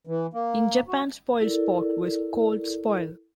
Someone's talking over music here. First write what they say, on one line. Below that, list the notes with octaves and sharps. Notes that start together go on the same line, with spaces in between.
In Japan Spoilsport was called Spoil.
E3
A#3
F#4
E4 A4 A#4 D5